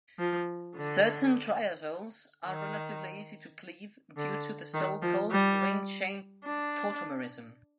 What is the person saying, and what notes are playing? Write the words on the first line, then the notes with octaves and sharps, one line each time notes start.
Certain triazoles are relatively easy to cleave due to so-called ring-chain tautomerism.
F3
D3
D#3
D3
D#3
F3
G3
D4